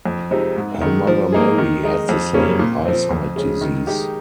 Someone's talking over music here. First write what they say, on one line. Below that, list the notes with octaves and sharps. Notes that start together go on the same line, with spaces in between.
Her mother Mary had the same eyesight disease.
F2
C3 F3 G#3 D#4
G#2
D#3 G#3
F3
A#3 D#4 G#4
D#3
G#3 D#4
F2
C#3 G3 A#3 C#4
A#2
F3 C4
F2
C#3 G#3
D#3
G#3 D#4 G4